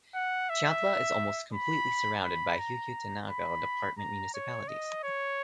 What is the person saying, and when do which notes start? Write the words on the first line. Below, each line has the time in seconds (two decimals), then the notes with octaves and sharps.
Chiantla is almost completely surrounded by Huehuetenango Department municipalities.
0.15 F#5
0.50 E5
1.54 B5
2.25 B5
2.59 A#5
3.30 B5
3.99 A#5
4.35 C#5
4.68 D#5
5.04 C#5